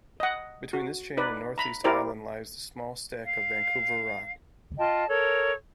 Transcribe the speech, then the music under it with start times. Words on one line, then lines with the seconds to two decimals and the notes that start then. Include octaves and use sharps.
Between this chain and North East island lies the small stack of Vancouver Rock.
0.20 D#5 F#5
0.73 F#4
1.17 D#4 B4 D5
1.58 A#5 B5
1.84 E4 G4 A#4 C5 D5
3.23 F5
4.78 F4 D#5 G5 A5
5.08 A4 A#4 C#5